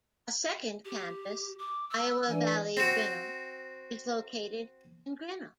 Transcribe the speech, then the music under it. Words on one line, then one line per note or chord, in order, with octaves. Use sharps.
A second campus, Iowa Valley Grinnell, is located in Grinnell.
G4
D6
E6
E3 D4 G#5
C4 F#4